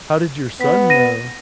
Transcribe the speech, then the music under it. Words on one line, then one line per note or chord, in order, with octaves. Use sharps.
How did your son, uh,
B3 B6
A#6 D#7